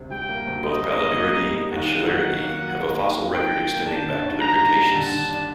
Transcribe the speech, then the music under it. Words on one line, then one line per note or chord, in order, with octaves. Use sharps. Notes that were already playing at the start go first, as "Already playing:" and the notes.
Both Palinuridae and Scyllaridae have a fossil record extending back to the Cretaceous.
Already playing: D2 C3 G3
G3 G5
A#3
D2
G3 D#5
A#3
G3
A#3
G3
G3
D#2 F#5
A#3
F#3
D#3
A#3
F#3
A#3
D#2
F#3
D#2 G5
F#3
A#3
D4 A5
D3
D#2
G3 A#5
D#2
G3
D3 A5
D3
D4